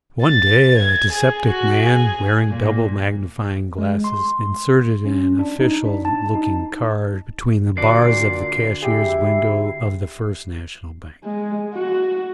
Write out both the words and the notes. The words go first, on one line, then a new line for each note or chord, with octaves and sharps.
One day a dyspeptic man, wearing double-magnifying glasses, inserted an official-looking card between the bars of the cashier's window of the First National Bank.
A6
G#6
G#4
F#4
G#4
A#2
G#3
C6
C#4
D4
D#4
D4
A5
D#4
A#2 D3 F#4 D5 C7
E4 G4 G#4
G#3
F#4